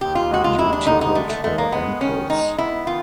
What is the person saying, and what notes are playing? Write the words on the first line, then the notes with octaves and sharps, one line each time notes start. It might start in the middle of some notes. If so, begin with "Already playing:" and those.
You tickled her ankles.
D#2 G4
F4
G#3 F#4
F4
D#2 E4
D4
D3 D#4
D#4
G#3 A3
A3
G#3 A3
A#3
G#3 B3
D#3 C#4
G#3 D#4
B3 E4
D#3 F4